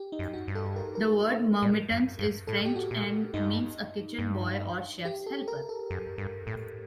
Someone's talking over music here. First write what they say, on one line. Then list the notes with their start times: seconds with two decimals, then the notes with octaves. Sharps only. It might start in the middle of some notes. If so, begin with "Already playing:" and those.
The word "Marmitons" is French and means a kitchen boy, or chef's helper.
Already playing: G4
0.12 D#4
0.19 F#2
0.33 F#4
0.48 G2
0.55 A4
0.76 A#4
0.95 A#4
1.62 A2
1.91 F#2
2.19 G2
2.47 A2 A4
2.65 G4
2.76 F#4
2.91 A#2
3.34 G2 D#4
4.19 G2
5.05 G4
5.26 A4
5.48 A#4
5.69 A4
5.90 F#2
6.18 G2
6.47 A2